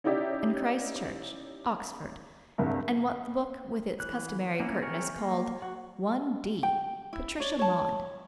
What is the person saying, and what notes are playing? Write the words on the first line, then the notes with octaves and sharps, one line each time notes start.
Eton and Christ Church, Oxford, and what the book with its customary curtness called "one d."--Patricia Maud.
C#4 D#4 E4 G4 D5 E5
F#1 C2 G2 C3
E3 F#6
A#3 B3 C#4 E4
C4 G#4 A#4 C#5
A#3
F#4
G5
E4
C#5 D5
C#5 A5